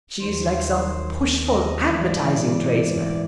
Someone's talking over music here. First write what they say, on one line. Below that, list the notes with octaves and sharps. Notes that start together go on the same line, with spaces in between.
She is like some pushful advertising tradesman.
D#2 D#3 C5
D#5
G#2 E3 D5